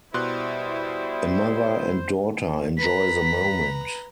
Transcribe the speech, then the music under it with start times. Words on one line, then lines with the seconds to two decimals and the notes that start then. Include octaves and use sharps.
A mother and daughter enjoy the moment.
0.14 B2 G3 E4 C5 C6 F#6
2.77 B4 A#5 B6